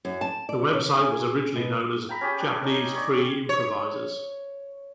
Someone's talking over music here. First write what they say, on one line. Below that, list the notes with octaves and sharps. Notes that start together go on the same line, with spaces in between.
The website was originally known as "Japanese Free Improvisers".
F#2
A5
D5
C#3
G#4
B2
G5 A#5 B5
C#4 G4 G#4
D4
C#4 D#4
C#5 D5 C#6
C#5